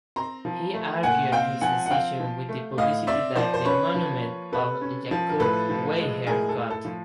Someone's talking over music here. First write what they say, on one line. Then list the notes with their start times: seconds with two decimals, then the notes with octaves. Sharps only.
He argued his decision with the publicity that the monument of Jakub Weiher got.
0.16 C4 A#5 C6
0.45 F3
0.74 A3
1.03 A#2 F#5 G#5
1.32 C4 F5 G5
1.61 F3 F#5 G#5
1.86 F#5
1.91 C4 F5 G5
2.20 F3
2.49 A3
2.78 A2 D#5 F5
3.07 C4 D5 E5
3.36 F3 C5 D5
3.54 C5
3.65 C#4 B4 C#5
3.94 F3
4.24 A#3
4.52 C3 A4 B4
4.81 C#4
5.11 F3
5.29 A#4
5.40 A2 A4 B4
5.69 F3
5.98 G#3
6.27 A2 G#4 A#4
6.49 A4
6.56 A2
6.70 A4
6.85 F3